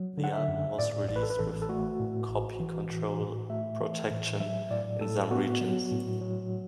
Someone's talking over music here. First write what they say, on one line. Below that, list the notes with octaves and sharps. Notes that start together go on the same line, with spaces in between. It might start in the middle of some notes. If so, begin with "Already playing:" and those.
The album was released with Copy Control protection in some regions.
Already playing: F#3
D3
F#5
E5
F#2
A2 D5
A1 D5
B4
A4
B4
A1 A4
A4
A3 F#4
A2
A1
E3
A2
A2
A3 E5
E3
A2
F#3 E5
A2 D5
A2 A4
B3 F#4
F#3
A2
F#3